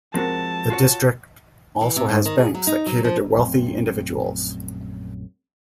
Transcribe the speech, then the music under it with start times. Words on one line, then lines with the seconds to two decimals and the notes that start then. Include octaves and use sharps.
The district also has banks that cater to wealthy individuals.
0.14 F3 G#3 C4 F#4 A#4 A5
0.70 F4 F#4 C#5
1.81 E3
1.96 C3
2.09 G#2
2.26 D#3
2.38 G#4
2.54 F#3
2.67 D#4
2.86 F#3
3.04 F3
3.37 A#1 F#2 A3 C4